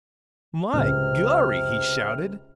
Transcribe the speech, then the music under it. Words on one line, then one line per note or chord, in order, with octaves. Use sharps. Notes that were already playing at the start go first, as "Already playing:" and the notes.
"My gorry!" he shouted.
C#2 C3 F6